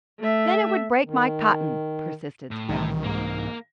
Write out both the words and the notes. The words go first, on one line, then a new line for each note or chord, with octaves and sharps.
"Then it would break my cotton," persisted Scraps.
A3 E5
D#3
A2
C2 D#3 E3
G#2 A#3 A#4